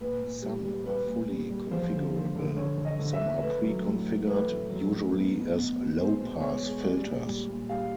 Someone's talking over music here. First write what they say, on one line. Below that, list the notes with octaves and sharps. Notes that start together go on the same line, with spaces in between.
Some are fully configurable; some are pre-configured, usually as low-pass filters.
A#2 B4
A#2
G3
G3
G3 B4
A#2
G3
G3
F3 C5
D3
F3
D3
D3 C#5
D3
D#5
D3
E5
A3
A3 B4
F#3
A2
A2
A3 B4
A2
F#3
A2
B2
B2
B2
B2
G#3 C5
B2
G#3 C#5
G#3
G3 D5
A#2
G3
A#2
G3 F5